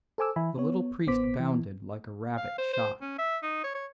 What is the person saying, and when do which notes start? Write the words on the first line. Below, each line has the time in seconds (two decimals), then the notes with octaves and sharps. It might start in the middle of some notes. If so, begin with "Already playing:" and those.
The little priest bounded like a rabbit shot.
0.18 A4 C5 G#5 D6 E6
0.36 E3 E5 G#5 B5
0.58 B3 C#5
1.07 A1 B3 C5 D6 B6
1.39 E3
2.37 F5
2.58 C5
2.73 C5
3.01 C#4
3.19 E5
3.42 D#4
3.64 C#5
3.75 C#5